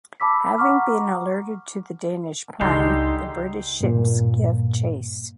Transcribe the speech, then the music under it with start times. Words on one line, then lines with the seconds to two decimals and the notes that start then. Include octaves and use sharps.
Having been alerted to the Danish plan, the British ships give chase.
0.20 A5 B5 D6 E6 B6
0.58 F#5 A#5 C#6 D6 F6
2.61 C#2 D3 G3 G#3 D#4 G4 C6
3.81 G2 A#2